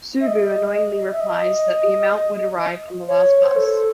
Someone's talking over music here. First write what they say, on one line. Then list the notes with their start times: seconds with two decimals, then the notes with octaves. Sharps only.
Subbu annoyingly replies that the amount would arrive on the last bus.
0.21 E5
0.26 D#5
1.12 E5
1.20 D#5
3.08 C#5
3.44 C5
3.56 A4